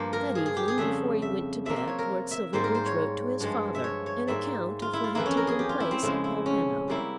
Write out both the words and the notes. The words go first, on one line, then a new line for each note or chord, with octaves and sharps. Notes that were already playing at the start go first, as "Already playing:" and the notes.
That evening before he went to bed Lord Silverbridge wrote to his father an account of what had taken place at Polpenno.
Already playing: G2 F3 A#3 F4 G4 C5
A#4
G#4
G#4
G4
G#4
F2 C#3 G3 E5
E5
C3 F3 A#3 E5
E5
C#5
A#4
E5
G#2 G3 A#3 C5
A#4
C5
C#5
G2 F3 G#3
E5
C#5
C#5
G#2 G3 A#3 E5
F4
E4
F4
F2 E3 A#3 E4
C#4
A#4
G#4
G4
F4
E4
C4
F2 C#3 F3 G#3 E4
E4
C#4
C3 G3 A#3 E4